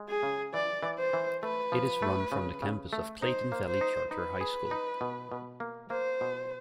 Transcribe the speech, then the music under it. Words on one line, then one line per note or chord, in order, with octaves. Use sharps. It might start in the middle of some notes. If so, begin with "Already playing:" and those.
It is run from the campus of Clayton Valley Charter High School.
Already playing: G#3
G#4
C#3
E3 D5
E3
C5
E3
A3 B4
F3
A3
C#3
C#3
A3
D#4 C5
A#3
C5
D#4
D#4 B4
G#4
D#4
B2
B2
A#3
A#3 C5
B2